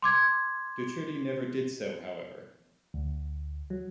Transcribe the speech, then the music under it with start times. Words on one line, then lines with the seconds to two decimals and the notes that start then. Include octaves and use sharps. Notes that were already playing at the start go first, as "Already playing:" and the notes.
Docherty never did so, however.
0.02 C6 D6 G#6
2.94 D2
3.70 F#3